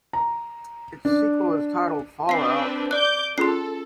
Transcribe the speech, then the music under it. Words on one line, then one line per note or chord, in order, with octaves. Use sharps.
Its sequel is titled "Fallout".
A#5
D4
C4 D4 B4 F5 C7
D5 D6 F#6 G6
C#4 F4 G#4 A4 C6 C7